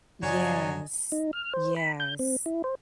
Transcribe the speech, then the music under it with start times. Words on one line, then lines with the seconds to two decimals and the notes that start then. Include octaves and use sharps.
Yes. Yes.
0.22 F#2 C#3 F3 F#3 D5 D#5 G#5
1.12 D#4
1.33 F6
1.54 C5
1.76 B5
2.00 G6
2.19 C4
2.46 E4
2.64 C5